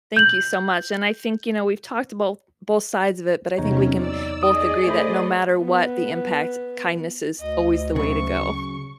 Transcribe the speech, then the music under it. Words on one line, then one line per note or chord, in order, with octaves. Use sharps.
Thank you so much, and I think, you know, we've talked abolt both sides of it, but I think we can both agree that no matter what the impact, kindness is always the way to go
G6 F#7
E2 C3 F#3 C#4 D#4 C#5
D5 E6
G#4 D5 D#5 D#6
A3 C5 B5
B3
D2 D#5
C#3 F#3 C#6